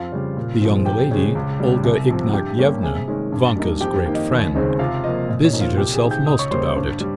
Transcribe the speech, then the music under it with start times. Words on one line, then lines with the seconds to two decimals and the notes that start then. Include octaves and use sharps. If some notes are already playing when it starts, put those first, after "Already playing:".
The young lady, Olga Ignatyevna, Vanka's great friend, busied herself most about it.
Already playing: F2 F4 F5
0.12 C#3 G3
0.37 A#2
0.61 F3 G#3 C4
0.85 F2 G4 G5
1.11 C#3 G#3
1.35 C#2
1.60 C#3 G3
1.84 C2
2.09 C3 F3
2.33 G2 G4 G5
2.59 G3 A#3 C#4
2.82 C3 G#4 G#5
3.08 D#3 G#3 C#4
3.32 G2
3.56 G3 A#3 D#4
3.81 F2 G4 G5
4.06 D#3 A#3
4.14 D#5
4.31 D#2
4.55 C#3 G#3 C4 D#4
4.79 C3 F4 F5
5.04 F3 A#3 D#5
5.28 A#2 D#5
5.45 C#5
5.53 F3 A#3 D#4
5.61 F4 F5
5.77 C2 G4 G5
5.93 G#4 G#5
6.02 C3 D#3
6.11 G5 G6
6.26 C#2 D#5 D#6
6.39 C#5 C#6
6.51 C#3 G3 A#3 C#4 C5 C6
6.64 C#5
6.76 G2
7.00 G3